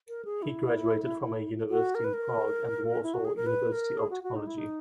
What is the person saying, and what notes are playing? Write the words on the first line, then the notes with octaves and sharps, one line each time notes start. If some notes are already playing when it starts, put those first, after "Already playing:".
He graduated from a university in Prague and the Warsaw University of Technology.
A#4
G#4
E4
F#4
A#4
B4
A#4
E4
F#4
G#4
A#4
B4
A#4
G#4
F#4
F#4
D#4
E4
D#4